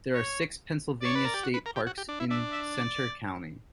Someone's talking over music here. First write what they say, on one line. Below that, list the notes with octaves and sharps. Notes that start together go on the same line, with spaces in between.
There are six Pennsylvania state parks in Centre County.
C#5
C#5 D5
B4
A#4
G4
F#4
B4
A#4
G4
F#4
G4
D4
E4
D4 E5
E5
D5